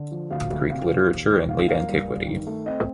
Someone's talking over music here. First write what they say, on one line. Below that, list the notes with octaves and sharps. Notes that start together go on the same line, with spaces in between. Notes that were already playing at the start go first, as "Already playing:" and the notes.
Greek Literature in Late Antiquity.
Already playing: D3
F3
D2 F5
D2
C3 F5
F3
D#2
D#2
D#3 F5
A#3 F5
G2
G2
D#3
A3
C4 D#5